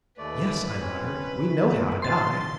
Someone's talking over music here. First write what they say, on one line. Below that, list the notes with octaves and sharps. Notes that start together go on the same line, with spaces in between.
"Yes," I muttered, "we know how to die!"
D#2 A3 B4 D5
C4 C#4 C#5
E3
C6 A6